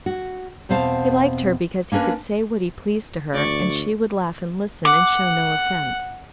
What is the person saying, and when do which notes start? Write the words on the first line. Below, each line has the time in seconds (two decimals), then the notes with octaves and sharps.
He liked her because he could say what he pleased to her, and she would laugh and listen, and show no offence.
0.06 F#4
0.69 E2 B2 C4 C5 F5 A5
1.92 A#3 C#4 D4 A#4 B4
3.33 D2 D5 C#6
4.85 F#5 D6